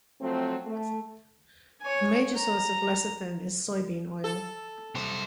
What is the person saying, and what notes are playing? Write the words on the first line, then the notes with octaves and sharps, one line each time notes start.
A major source of lecithin is soybean oil.
F3 F#3 A3 C4
A3
C#5 G#5
A#5
A4
C2 C5